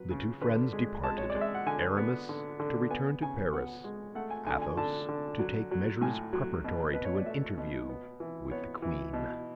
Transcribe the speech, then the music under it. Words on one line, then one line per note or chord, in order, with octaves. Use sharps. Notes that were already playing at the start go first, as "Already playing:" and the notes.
The two friends departed--Aramis to return to Paris, Athos to take measures preparatory to an interview with the queen.
Already playing: F#3 B4
C#3
D3 B4
G#3
G#3 A5
C#5
D5
G#3
E5
F#5
D3 G#5
B3
D3
D3
B3 G#5
C#3 G#5
B3 F#5
G#3
A3 F#5
G#5
D3 G#5
G#5
D3 A5
D3
F#3
F#3
A2 G#5
F#3
B2
B2 B4
C#5
D5
A3 E5
B2
B3
E3
B3 C#5
E3
B2